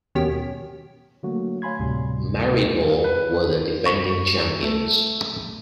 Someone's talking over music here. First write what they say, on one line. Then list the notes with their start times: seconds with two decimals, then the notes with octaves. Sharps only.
Maribor were the defending champions.
0.15 D#2 B2 C#4 G4 B6
1.23 D3 F#3 A3 A#3 F#4
1.62 C#5 F5 G#5 B5 C6 G#6
1.79 D2 A2 C3 G3 C6
3.04 B4
3.86 C#6
4.62 A3